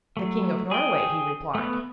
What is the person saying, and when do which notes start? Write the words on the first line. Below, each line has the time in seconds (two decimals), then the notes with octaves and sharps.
'The King of Norway,' he replied.
0.17 F#3 A3
0.71 G#4 G5
1.55 A3 B3